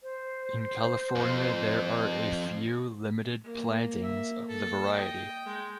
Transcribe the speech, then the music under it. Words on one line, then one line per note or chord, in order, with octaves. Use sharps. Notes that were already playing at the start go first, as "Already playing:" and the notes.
In California there are a few limited plantings of the variety.
C5
F2
A#3
E5
A4
D#5 G5
G#3